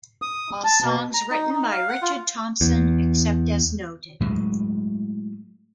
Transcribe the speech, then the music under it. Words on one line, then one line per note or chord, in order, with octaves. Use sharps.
All songs written by Richard Thompson except as noted.
D#6
A5
B2
A#5
D#4
D#4
F5
F#5
F4
E2
A2 F#3 G#3